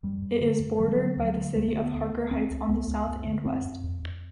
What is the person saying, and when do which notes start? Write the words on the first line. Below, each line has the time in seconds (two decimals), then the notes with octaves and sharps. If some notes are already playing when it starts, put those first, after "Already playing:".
It is bordered by the city of Harker Heights on the south and west.
0.03 F#2 G3
0.22 F#2
0.41 D3
0.60 F#2
0.79 D3 F#3
0.88 G3
0.95 D3 F#3
1.16 D2 F#3
1.36 D3
1.55 D2 G#3
1.68 A3
1.74 D3
1.81 B3
1.94 D2
2.12 D2
2.31 C#2 C4
2.51 C#2
2.69 C#2 B3
2.88 C#2
3.07 F#2
3.26 D3
3.45 F#2 C4
3.65 F#2
3.84 F2
4.03 F2